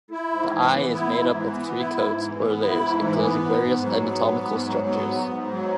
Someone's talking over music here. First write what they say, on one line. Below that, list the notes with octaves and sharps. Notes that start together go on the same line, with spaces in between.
The eye is made up of three coats, or layers, enclosing various anatomical structures.
E4
G#2
E3
B3
E4
G#2
E3
B3
E4
G#2
E3
B3
E4
G#2
E3
B3
G#2
G#2
F#3
B3
G#2
G#2
F#3
B3
G#2
G#2
F#3